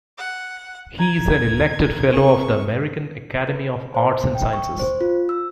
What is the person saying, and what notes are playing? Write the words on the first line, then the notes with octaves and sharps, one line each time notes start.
He is an elected Fellow of the American Academy of Arts and Sciences.
F#5
A#5 G#6
C4 G#4 A#4 C#6
B4
C5
G5
C#6
C5
F4
E6